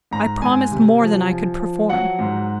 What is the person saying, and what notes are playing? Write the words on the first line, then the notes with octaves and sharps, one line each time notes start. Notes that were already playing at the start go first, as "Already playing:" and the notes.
I promised more than I could perform.
G#2 A#5
G#2 G#5
C3
F3
F3
F3
F#3 F#5
G#2